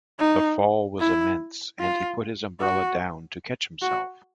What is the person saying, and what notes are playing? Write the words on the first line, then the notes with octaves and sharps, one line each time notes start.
The fall was immense and he put his umbrella down to catch himself.
D#4
E4
F4
F#4
F#4